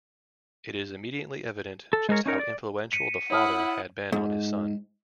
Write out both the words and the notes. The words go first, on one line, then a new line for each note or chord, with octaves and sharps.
It is immediately evident just how influential the father had been on his son.
A4
G#3 G#4 A#4 C#5
C#4 D#4 A#4 C#5
D5
B6 C#7 D#7
E4 C#5 F#5 D#6 F6
G#2